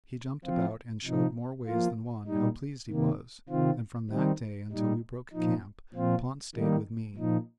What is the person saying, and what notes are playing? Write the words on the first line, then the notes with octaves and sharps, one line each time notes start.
He jumped about and showed more ways than one how pleased he was, and from that day until we broke camp, Pont stayed with me.
F3 C4 F4
C3 F3 D#4
F3 A#3 F4
A#2 G3 D#4
C3 D#3 A#3
C3 D#3 C4 F4
D#3 G3 C4 D#4
A#2 G3 D#4
A#2 F3 D#4
A#2 F3 C4 F4
D#3 G3 A#3 D#4
A#2 F3 D#4